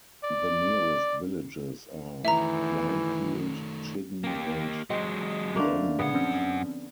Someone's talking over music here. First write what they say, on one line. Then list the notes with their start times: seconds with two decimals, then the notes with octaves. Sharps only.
The nearest villages are Clanfield, Chidden and Denmead.
0.24 D5
2.25 D#3 E3 A3 E5 A#5
4.24 A#3 G4
4.90 F#3 G#3 C4 D#5 G5
5.56 D3 A3 A#3
5.99 F#2 A#2 D3 B3 G#4 F#5
6.14 F3 C4 C#4